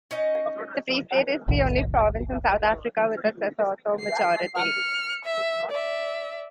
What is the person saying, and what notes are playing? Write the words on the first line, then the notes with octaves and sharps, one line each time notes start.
The Free State is the only province in South Africa with a Sesotho majority.
C#4 D#4 D#5
F1 B1 A2 D#3
C7
F6 C#7
E5
D5 E5